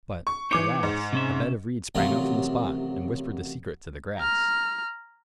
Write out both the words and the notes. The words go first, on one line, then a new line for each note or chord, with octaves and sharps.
But, alas, a bed of reeds sprang up from the spot, and whispered the secret to the grass.
C#6
E3 D#4 C5 C#5 D6 C#7
G#2
C3 C#4 E5
A1 C3 D#3 F#3 F4
A#5 F6